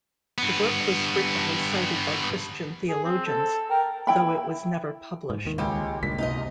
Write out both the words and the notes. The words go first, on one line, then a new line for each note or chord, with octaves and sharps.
The work was frequently cited by Christian theologians, though it was never published.
G2 B3
G#4
C4
A4
A#4 G5
E4 G5 B5
G#2
D#2 D#3
C#2 G#3 G4
C#2 G2 A#2 B6
C2 D#4 F4 D#5